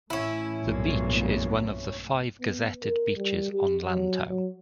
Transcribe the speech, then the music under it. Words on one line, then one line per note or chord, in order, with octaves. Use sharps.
The beach is one of the five gazetted beaches on Lantau.
A1 A3 C#4 E4
B1 G2 A#2
B3
A#4
G3
G4
F#3
F#3